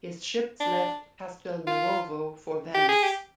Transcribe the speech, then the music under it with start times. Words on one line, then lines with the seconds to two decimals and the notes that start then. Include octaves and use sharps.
His ships left Castelnuovo for Venice.
0.60 D4
1.67 F4
2.74 G4
2.88 G#4
3.03 G4